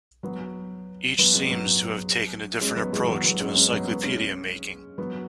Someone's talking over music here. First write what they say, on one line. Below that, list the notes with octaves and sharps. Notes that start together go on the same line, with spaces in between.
Each seems to have taken a different approach to encyclopedia-making.
F#3 B3
F#3 B3
G#3 C#4
F#3 B3
G#3 C#4
F#3 B3
E3 G#3
F#3 B3
F#3 B3
G#3 C#4
G#3 C#4
F#3 B3
F#3 B3
G#3 C#4
F#3 B3